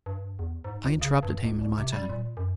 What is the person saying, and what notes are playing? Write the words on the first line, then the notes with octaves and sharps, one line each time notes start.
I interrupted him in my turn.
G2
E2
G#2
C#2
C#3
G2
C#2
C2
C3
G3
A#2
F#2